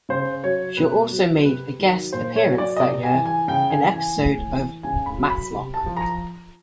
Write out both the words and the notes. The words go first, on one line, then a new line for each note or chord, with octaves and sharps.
She also made a guest appearance that year in an episode of "Matlock".
C#3 C5
F#3 C#5
B2 B4
F#3
C3 B4
D#3 F#3
A#2 C5
C#5
F#3
D5
D#5
C3 D5
G#5
E3
G#5
C#3 G5
G#5
E3
G#5
A2
E3
C#3 G#5
B5
F#3
B5
C3
A5
F3
A#5